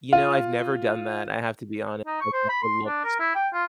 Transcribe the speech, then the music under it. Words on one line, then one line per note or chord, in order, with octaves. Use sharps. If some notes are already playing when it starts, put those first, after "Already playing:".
You know, I've never done that, I have to be honest. I've never looked
F4
D#4
C#6
C5
B5
C6
D4
A#4
E4
G5
F4